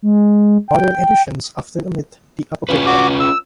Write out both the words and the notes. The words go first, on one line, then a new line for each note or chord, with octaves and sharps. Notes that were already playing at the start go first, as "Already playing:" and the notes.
Modern editions often omit the Apocrypha.
G#3
G5
C#4 F4 B4
F#4 D6
E6